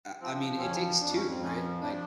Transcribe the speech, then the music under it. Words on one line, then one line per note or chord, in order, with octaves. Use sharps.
I I mean, it takes two, right, like
F3 C4
C4
F2 C#4
F2 D4
C#4
C4
F3 C#4
F3 D4